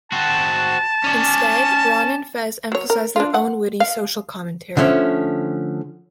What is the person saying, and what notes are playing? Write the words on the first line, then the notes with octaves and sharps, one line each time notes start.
Instead, Ron and Fez emphasized their own witty social commentary.
C4 F#4 A5
C#4 D5
F#3 C#5
A#4
D4 F4
F#5
F5
D3 F3 A3 C#4